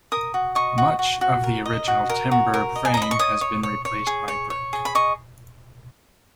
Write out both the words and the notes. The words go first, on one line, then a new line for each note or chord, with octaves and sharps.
Much of the original timber frame has been replaced by brick.
A#4 D#6
F#4
D#5 C#6
F#4
F#4
F#4
A#4
D#5
F#4
A#4
F#4
A#4
D#5
G#5
A#5
D#5 B5
C#6
C#5 D#6
C#5
C#5
C#5
G#4
C#5
C#5
G#4
B5
D#5 C#6